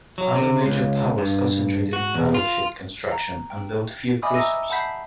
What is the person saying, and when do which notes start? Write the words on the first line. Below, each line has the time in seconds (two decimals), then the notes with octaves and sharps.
Other major powers concentrated on battleship construction and built few cruisers.
0.18 F#3
0.35 C3
0.65 C#2
1.18 G2
1.93 F#4
2.14 E2
2.34 F4
3.11 A#5
3.50 G5
4.22 D#5 E5 G#5 B5 D6 D#6
4.34 A#5 D#6 E6 A#6 D#7
4.70 F#5 A5 B5 G6 B6 C7